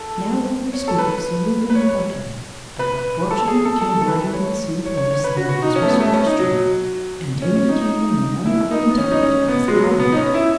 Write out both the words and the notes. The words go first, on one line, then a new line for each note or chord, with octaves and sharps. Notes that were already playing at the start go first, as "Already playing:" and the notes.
NOW will we speak of Sir Lucan the butler, that by fortune he came riding to the same place thereas was Sir Tristram, and in he came in none other intent but to ask harbour.
Already playing: A4
C#5
A4
B4
B4
C#5
B4
A4
G#4
A4
A4
A4
B4
C#5
C#5
C#5
C#5
B4
F#4
F#4
D#4
C#4
A3
B3
A3
C#4
D#4
F#3
C#4
C#4
D#4
D#4
E4
D#4
B3
C#4
D#4
C#4
B3
G#3
F#3
B3
D#4
C#4
E4